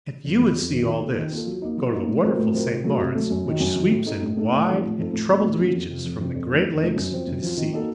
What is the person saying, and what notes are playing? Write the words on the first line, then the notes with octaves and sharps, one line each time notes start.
If you would see all this, go to the wonderful St. Lawrence, which sweeps in wide and troubled reaches from the Great Lakes to the sea.
F2
D#3 F#3
F2
D#3 F#3
D#3
A#3 F4 A4
D#3
A#3 F4 A4
F#3
A#3 D#4
F#3
A#3 D#4
A2
F#3 C4 F4 A#4
A2
F#3 C4 F4 A#4
C3
F#3 A3
C3
F#3 A3
F#2
D#3 F#3
F#2
D#3 F#3
A2
A3 D#4 A4
A2
A3 D#4 A4
A2
F3 C4 D#4 A4
A2
F3 C4 D#4 A4
A2
F#3 A#3 C#4 F#4
A2
F#3 A#3 C#4 F#4
F2
C3 F3 C4
F2
C3 F3 C4
F2
C#3 A3 C4 D#4
F2
C#3 A3 C4 D#4
F#2
F3 C4 F4
F#2
F3 C4 F4
D#3
A#3 D#4 F#4 A4